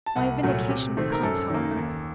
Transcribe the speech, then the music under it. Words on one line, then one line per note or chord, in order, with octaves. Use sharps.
My vindication will come, however.
A5
C2 F#5
A#2 F#3 A3
C3
D#3 A3 C4
A#4
F#2 A4
D#3 A#3
D#2